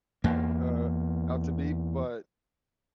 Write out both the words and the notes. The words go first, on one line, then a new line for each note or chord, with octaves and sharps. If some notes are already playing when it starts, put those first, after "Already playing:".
uh, out to be, but
E2 A#3